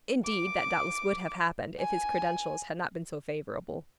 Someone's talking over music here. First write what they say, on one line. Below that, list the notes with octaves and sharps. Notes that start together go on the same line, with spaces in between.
"Indeed, that doubtless would have happened if his credentials had not been so favorable."
D6
G#5